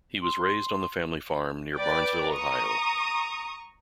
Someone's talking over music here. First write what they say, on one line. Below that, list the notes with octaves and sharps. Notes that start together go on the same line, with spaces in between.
He was raised on the family farm near Barnesville, Ohio.
C6
B4 D5 G5 D6
A#5 C#6 D#6